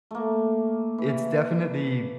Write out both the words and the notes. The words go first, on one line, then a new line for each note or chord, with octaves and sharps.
it's definitely
A3 A#3
E3